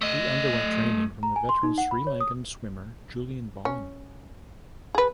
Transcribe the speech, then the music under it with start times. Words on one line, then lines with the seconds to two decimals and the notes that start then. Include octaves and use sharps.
He underwent training from the veteran Sri Lankan swimmer Julian Bolling.
0.01 A3 D#5
1.23 A#5
1.36 G#5
1.49 C6
1.63 D#4
1.78 F#5
1.91 B5
2.07 C#5
2.21 D#6
3.65 C#4
4.95 G#4 B4